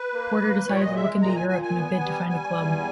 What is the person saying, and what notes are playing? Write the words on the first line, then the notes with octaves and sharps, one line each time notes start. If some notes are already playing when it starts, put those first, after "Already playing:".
Porter decided to look to Europe in a bid to find a club.
Already playing: B4
A#3
A#3
A#2 C#5
D#5
G#3 E5
A#2 A#5
G#5
A#2 G#5
G#5
B3
G3
G3 G#5
E2